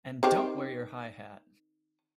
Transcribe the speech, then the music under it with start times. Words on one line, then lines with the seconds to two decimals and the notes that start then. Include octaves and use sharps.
And don't wear your high hat!
0.23 D#3 C4 G4